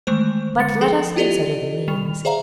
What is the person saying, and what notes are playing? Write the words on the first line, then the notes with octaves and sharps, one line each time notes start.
But let us consider the means.
D#3 E3 G#3 A3 C5
D3 G#3 A6 C#7
F3 G#4 A4
E4 F4 G4 A4 D5 D#5
D#3 G3 F7
G#4 C5 D5 E5 F5 A#5